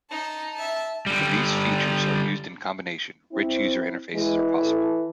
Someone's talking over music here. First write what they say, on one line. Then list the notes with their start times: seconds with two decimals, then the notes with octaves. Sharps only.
When these features are used in combination, rich user interfaces are possible.
0.10 D#4 A5
0.55 E5 A5
1.06 D3 G3
3.32 C4 E4
4.14 E3 G#3
4.62 A4